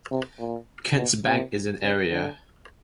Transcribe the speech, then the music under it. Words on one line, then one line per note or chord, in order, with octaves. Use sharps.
Kents Bank is in area.
C3
A#2
B2
C3
C#3
D3